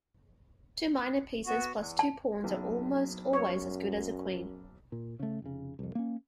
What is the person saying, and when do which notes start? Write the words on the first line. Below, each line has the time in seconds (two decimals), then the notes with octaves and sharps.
Two minor pieces plus two pawns are almost always as good as a queen.
1.46 B3 F#4
1.73 E2
1.99 A5
2.44 F#1 B1
3.33 F#2 C#5
4.92 A#2
5.19 C#3 A3
5.42 F1 C#3
5.79 C2 F2
5.95 A#3 C#4